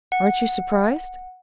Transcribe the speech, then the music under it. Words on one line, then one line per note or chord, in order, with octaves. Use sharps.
"Aren't you surprised?"
F#5